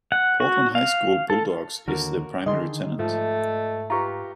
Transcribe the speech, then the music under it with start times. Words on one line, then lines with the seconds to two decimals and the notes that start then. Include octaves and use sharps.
Portland High School Bulldogs is the primary tenant.
0.12 F#5
0.40 F#4
0.75 F5
1.30 A4
1.88 D#2 D3 F#4 A#4
2.46 D3 D#3 G#4 D#5 C6
2.99 G#2 F3 A3
3.90 F4 G4 B4 A#5 C#6